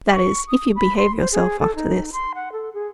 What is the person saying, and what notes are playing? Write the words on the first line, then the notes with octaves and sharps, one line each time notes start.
"That is, if you behave yourselves after this."
C#6
D#6
B5
C6
C5
G#4
A4
D#4
C6
F#5
A4
G#4